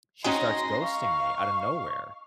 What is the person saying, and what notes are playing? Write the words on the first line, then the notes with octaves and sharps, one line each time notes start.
she starts ghosting me out of nowhere,
G#3 C#4 D#4 F#4 D#5 G5 C6 A#6
F5 C#6